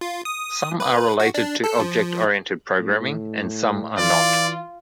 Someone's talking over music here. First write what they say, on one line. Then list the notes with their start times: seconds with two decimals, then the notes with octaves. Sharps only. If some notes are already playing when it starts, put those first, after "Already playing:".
Some are related to object-oriented programming and some are not.
0.01 F4
0.25 D#6
0.80 B4
1.20 F#4
1.34 D4
1.64 A4
1.80 F3
2.79 A2
3.99 E3 F4 D5